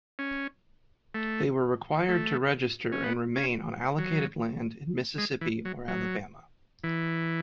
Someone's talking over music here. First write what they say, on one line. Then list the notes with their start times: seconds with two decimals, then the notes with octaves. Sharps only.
They were required to register and remain on allocated land in Mississippi or Alabama.
0.19 C#4
1.14 A3
2.09 A3
2.92 C#4
3.03 B3
3.36 C#4
3.98 F#3
5.18 G#3
5.41 E3
5.65 F#3
5.88 F#3
6.84 E3